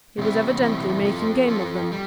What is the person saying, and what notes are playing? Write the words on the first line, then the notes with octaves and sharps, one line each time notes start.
He was evidently making game of them.
E2 C3 G3 C4 E4
E2 C3 G3 C4 E4
F3 C4 F4 A4
F3 C4 F4 A4
G3